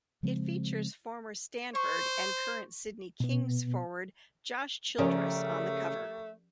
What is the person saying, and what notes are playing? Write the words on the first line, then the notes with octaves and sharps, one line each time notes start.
It features former Stanford and current Sydney Kings forward Josh Childress on the cover.
C#3 F3 G#3 C4
C5 C#6
B2 B3
C#3 F3 A3 C#4 G4 A#4 D5